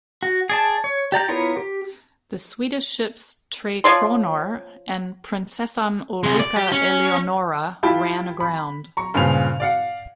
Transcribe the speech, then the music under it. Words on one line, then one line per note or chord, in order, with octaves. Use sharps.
The Swedish ships "Tre Kronor" and "Prinsessan Ulrika Eleonora" ran aground.
F#4
G#4 D5 A5
C#5
G4 D5 A#5 G6
B3 E4 F4 A#4 C#5
G4
F3 C#5 D5 C6
C3 G#3
D5
G4
C#4
E4 F4 G4 G5 A5 B5
B5
A#5 C#6
G2 A#2 C#3 C5 F7
D5 F5 F#5